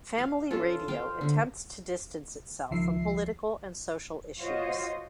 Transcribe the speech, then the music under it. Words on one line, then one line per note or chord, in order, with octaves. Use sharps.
Family Radio attempts to distance itself from political and social issues.
F5
C#4 F4 A4
C5 F5 G5
D3
C#2 D#3 F3 E5 C7
F4 F#4 C5 C#5 D#5